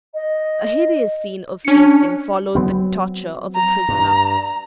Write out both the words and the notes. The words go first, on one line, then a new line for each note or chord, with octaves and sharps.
A hideous scene of feasting followed the torture of a prisoner.
D#5
C#4 D4 C#7
F#3 B3 C4
A#5
G2